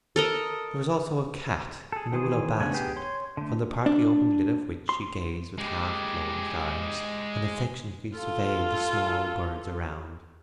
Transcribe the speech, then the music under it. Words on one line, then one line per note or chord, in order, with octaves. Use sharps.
There was also a cat in a willow basket, from the partly-opened lid of which she gazed with half-closed eyes, and affectionately surveyed the small birds around.
A4 A#4 D#5
G#4 A4
D#3 E3 G#4 C5 D#6
C#3 A3 B3 D4 G#5
B3 G4 G#4
C#5 C6
D3 A3
D4
C6
G#3 G4
F4 A4